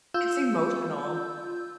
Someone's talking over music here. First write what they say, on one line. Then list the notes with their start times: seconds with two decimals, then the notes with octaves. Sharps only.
It's emotional.
0.14 F4 E6 G6